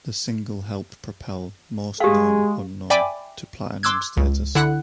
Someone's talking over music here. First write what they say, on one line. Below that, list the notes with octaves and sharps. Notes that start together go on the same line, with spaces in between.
The single helped propel "Most Known Unknown" to platinum status.
G#3 G4 G#4 F5
D5 E5 G5 G#5 B5 D6
C6 D6 E6 F#6 G#6
C#2
D3 E4 F#5 F#6